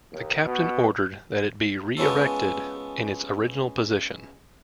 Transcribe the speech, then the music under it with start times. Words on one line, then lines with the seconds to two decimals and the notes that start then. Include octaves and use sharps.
The Captain ordered that it be re-erected in its original position.
0.11 D#2
0.44 B2
1.97 G#3 B3 C#4 F4 A4